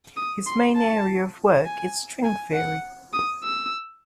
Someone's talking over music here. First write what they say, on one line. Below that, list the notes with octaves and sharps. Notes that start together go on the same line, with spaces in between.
His main area of work is String Theory.
D#6
C6
A5
G#5
G#5
F#5
D#6
E6